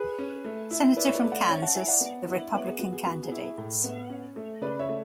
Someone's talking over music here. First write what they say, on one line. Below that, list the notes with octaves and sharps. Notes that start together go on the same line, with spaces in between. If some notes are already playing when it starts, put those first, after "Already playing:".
Senator from Kansas, the Republican candidates.
Already playing: G#4 B4
C#4
A3
E4
E4 B4 D5
C#5
B4 D5
A3
D5 F#5
C#4 C#5 E5
F#5 A5
E4 E5 G#5
D5 F#5
B3
E4
B3 C#5 E5
G#4
B3 F#4
G#4
B3 F#4
G#4
E4
G#4
A2
B3
C#4
A3
C#3 B4 D5
C#5 E5
A3